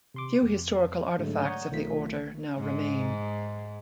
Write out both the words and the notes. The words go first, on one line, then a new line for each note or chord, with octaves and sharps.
Few historical artifacts of the Order now remain.
C3 C6 D6
F2
G#2 D3 F#3 G#3 A3
C#5 D5 F#5 A#5 D#6 G6
B1 D#3 A3 F4 B6
G#2